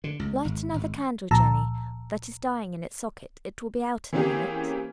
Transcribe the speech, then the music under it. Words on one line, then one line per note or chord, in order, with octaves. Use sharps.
"Light another candle, Jenny--that is dying in its socket--it will be out in a minute."
D3
C#2
G#1
G#1
C#2 A#2 F3 A5 A#5 E6
E3 A#3 C4 C#4 G4 G#4